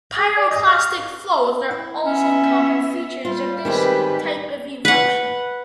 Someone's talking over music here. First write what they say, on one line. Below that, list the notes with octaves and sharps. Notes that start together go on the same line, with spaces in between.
Pyroclastic flows are also common features of this type of eruption.
G#4
D5
D#5
F5
E4
B3 C#4 E5
G3 F4
D#3 G#3 C4 G4 B4
B4 F#5